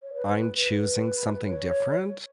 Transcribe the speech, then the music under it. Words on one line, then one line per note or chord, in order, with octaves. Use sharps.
I'm choosing something different,
C#5
B4
B4
C#5